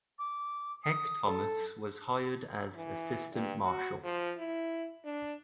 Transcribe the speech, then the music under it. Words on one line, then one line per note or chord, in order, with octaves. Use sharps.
Heck Thomas was hired as assistant marshal.
D6
D#6
A4
E3
G2
F#4
F3
E4
D4